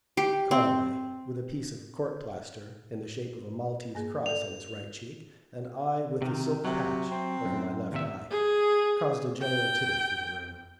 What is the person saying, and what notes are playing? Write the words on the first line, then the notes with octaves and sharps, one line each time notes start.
Conway, with a piece of court-plaster in the shape of a Maltese cross on his right cheek, and I with the silk patch over my left eye, caused a general titter through the room.
G4
C4
G2 A#3 G#4
A4 D5 F7
C3 D#3
C3 F#3
C4
F#2
D#2 C3 E5
G#4
G5